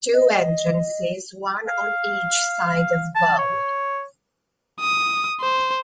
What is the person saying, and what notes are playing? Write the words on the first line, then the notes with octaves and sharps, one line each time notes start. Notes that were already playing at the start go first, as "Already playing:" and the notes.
Two entrances, one on each side of boul.
D#5
F5
A5
C#5
D#6
C5